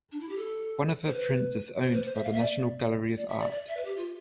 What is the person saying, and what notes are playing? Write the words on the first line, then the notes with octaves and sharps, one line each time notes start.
One of her prints is owned by the National Gallery of Art.
D4
E4
G4
A4
C5
B4
C5
B4
C5
E5
F5
E5
D5
D5
E5
D5
D5
E5
B4
G4
F4